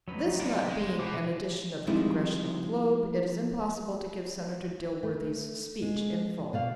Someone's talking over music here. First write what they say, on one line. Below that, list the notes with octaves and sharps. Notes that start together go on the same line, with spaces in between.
This not being an edition of the Congressional Globe it is impossible to give Senator Dilworthy's speech in full.
F2 F#3 C#4 D#4 B4
G3 G#3 D5
E2 G#3
B2 F3 G#4 D6
F3 G3 G#3 C4 D#4 E4
A3
G#3
B2 D5 F5